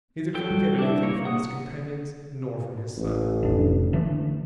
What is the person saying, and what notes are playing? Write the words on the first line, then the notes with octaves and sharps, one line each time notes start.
Neither can we get anything from his companions, nor from his son.
F#3 A4 G5
G3
D4 E4
A#3 C#5
F#5 D#6
A1
F1 D4
D3 E3 A3